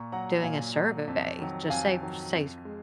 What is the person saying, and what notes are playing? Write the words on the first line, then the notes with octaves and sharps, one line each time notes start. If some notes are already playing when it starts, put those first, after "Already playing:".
doing a survey, just say say
Already playing: A#2 A#5 C#6
F#3 F#5 A#5
A#2 F5 G#5
F#3
F2
D#3 F#3
F2 F5 G#5
D#3 F#3
F2
G#3